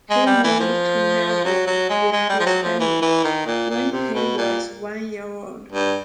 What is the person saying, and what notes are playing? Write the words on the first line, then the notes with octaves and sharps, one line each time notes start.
He moved to Melbourne with his family when he was one year old.
G#3
G3
E3
F3
F#3
F#3
G#3
G#3
G3
F3
F#3
F3
E3
E3
D#3
A#2
A#2
C3
B2
A#2
G2